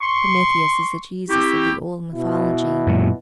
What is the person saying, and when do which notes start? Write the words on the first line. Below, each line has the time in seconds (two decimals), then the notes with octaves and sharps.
Prometheus is the Jesus of the old mythology.
0.01 C6 C#6
1.29 C4 E4 F#4 G4
2.12 B2 E4
2.87 F#2 A#2